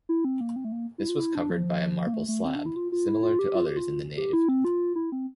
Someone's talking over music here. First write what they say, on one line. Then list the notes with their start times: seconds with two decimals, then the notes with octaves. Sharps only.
This was covered by a marble slab, similar to others in the nave.
0.09 E4
0.25 C4
0.41 A#3
0.56 C4
0.65 A3
0.72 A#3
0.98 E4
1.09 F4
1.19 E4
1.35 D4
1.50 F3
2.07 A#3
2.14 A3
2.28 A3
2.45 C4
2.55 D4
2.66 E4
2.76 F4
2.92 F4
3.08 E4
3.23 F4
3.39 G4
3.55 F4
3.66 G4
3.77 F4
4.17 G4
4.33 E4
4.49 C4
4.65 F4
4.96 E4
5.12 C4